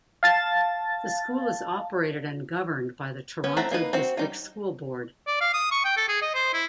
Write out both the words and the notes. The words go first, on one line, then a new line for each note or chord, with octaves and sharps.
The School is operated and governed by the Toronto District School Board.
F5 A5 A6
B3 C#4
A3 C4 E4 F#5 A#5
A#3 D#4 B4
C4 F#4
G3 D#4 F4
D5
F5
D#6
C#6
G5
A4
G#4
D#5
C5
E4